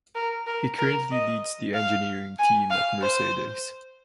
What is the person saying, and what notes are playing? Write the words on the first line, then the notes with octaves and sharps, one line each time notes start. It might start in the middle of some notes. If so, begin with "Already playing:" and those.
He currently leads the engineering team at Mercedes.
A#4
A#4
A#4
D#5
F5
G#5
F5
C5